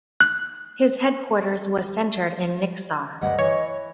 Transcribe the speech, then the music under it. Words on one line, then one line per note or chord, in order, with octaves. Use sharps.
His headquarters was centered in Niksar.
F#6
D2 G2 D#5 F#5
E3 C#5